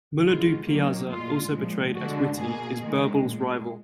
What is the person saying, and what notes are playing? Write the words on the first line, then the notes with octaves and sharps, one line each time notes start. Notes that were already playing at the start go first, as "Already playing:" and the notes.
Mulla Do-Piyaza, also portrayed as witty, is Birbal's rival.
B2 G#3 F4
D#3 F#3 A#3
A#2 G#3 F4
A#2 F3 G#3
D3 G#3 F#4
B2 A#3 G#4
D#3 G#3
A#2 G#3